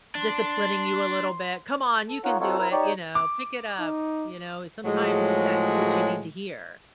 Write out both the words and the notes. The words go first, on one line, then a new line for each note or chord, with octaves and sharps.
Disciplining you a little bit, "Come on, you can do it," you know, "Pick it up," you know, sometimes that's what you need to hear.
D4 C6
A4
D#4 F4 A#4 C#5 F#5
C4 D#4 F4 F#4 A4 C#5
C4 E4 A#4
D#4 G4 C#5 D5
D6
D#4
A2 F3 F#3 G#3